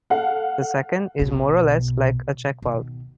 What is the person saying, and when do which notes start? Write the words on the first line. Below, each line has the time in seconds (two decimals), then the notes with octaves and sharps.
The second is more or less like a check valve.
0.10 A4 F5 F#5
1.19 B1 B2
2.62 B2 D#3